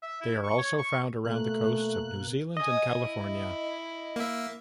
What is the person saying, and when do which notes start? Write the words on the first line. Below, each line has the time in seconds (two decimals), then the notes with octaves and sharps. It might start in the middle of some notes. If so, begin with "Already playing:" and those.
They are also found around the coasts of New Zealand and California.
0.03 E5
0.21 E4
0.44 C#6
0.58 C#5
0.78 C#6
1.25 B2 A3 A#3 F#6
2.57 D#5 G#5 D#6
3.04 E4
4.16 A#3 E5